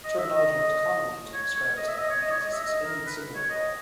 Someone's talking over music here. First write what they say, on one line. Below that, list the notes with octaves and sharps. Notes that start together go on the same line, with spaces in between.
The terminology most commonly used to describe this technique is a suspended cymbal roll.
D#5
E5
D#5
C#5
C#5
D#5
E5
D#5
C#5
D#5
C#5
D#5
E5
D#5
A#4
B4
C#5
D#5